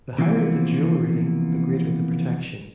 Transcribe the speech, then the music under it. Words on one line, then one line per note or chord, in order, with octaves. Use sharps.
The higher the joule rating, the greater the protection.
C3 E3 F3 A#3 B3